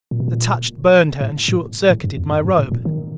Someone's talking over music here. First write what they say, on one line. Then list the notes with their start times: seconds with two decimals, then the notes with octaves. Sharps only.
The touch burned her, and short-circuited my robe.
0.11 A#2
0.20 B2
0.28 A#2
1.21 A2
1.48 A2
1.90 A2
2.04 G2
2.17 F2
2.31 F#2
2.45 G2
2.59 A2
2.72 A#2
2.85 D#3